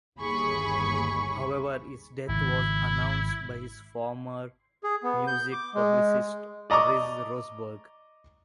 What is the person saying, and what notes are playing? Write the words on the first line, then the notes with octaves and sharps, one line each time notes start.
However his death was announced by his former music publicist Liz Roseberg.
G1 D#2 G#4 B5 C#6
G#1 C#3 E4
G#4
B3
G6
D6
G#3
D5 D#5 A#5 C#6 D6